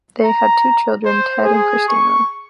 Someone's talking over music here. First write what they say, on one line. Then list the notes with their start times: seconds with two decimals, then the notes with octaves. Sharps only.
They had two children, Ted and Christina.
0.24 A#5
1.05 C5
1.44 G#4
1.88 C#6